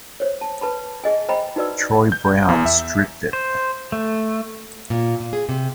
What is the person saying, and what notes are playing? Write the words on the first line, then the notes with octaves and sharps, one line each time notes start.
Troy Brown stripped it.
C5 C#5
A5
B4 A5 B5
G#4 D#5 G#5
C5 D#5 G5 A#5 B5
D#4 F#4 B4 D5 E6
G6
E2
E5
C5
A3
A#2
A#2
G#4
C3